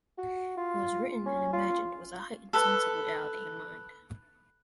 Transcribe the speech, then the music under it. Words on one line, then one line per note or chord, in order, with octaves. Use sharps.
It was written and imagined with a heightened sense of reality in mind.
F#4
F4
C#4
F4
A4 B4